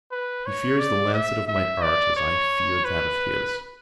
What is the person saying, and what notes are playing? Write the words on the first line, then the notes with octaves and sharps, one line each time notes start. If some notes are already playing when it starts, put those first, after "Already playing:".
He fears the lancet of my art as I fear that of his.
B4
C#5
D5
E5
E5
D5
C#5
B4